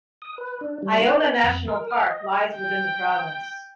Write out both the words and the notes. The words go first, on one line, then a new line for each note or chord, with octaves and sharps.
Iona National Park lies within the province.
D#6
B4
D4
G3
D#4
A#4
G#5
F2
A#4
F6
D#5
G5